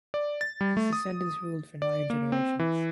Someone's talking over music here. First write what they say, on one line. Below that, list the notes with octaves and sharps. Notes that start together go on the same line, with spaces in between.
His descendants ruled for nine generations.
D5
A6
G3
A3
D#6
D5
A#3
C4
E3